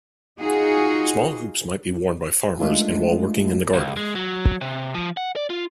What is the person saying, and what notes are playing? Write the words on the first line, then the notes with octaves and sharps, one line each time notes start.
Small hoops might be worn by farmers and while working in the garden.
D#4 F4 F#4 G#4
G#3 A3 D4 D#4 F4 G#4
C#2
G#3
F#3
C3
F3
F#5
D5
F4